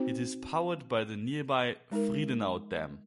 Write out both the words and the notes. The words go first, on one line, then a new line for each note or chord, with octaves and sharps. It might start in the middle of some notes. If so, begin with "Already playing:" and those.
It is powered by the nearby Friedenau Dam.
Already playing: C4 D#4 F#4 C5
G#3 D#4 A#4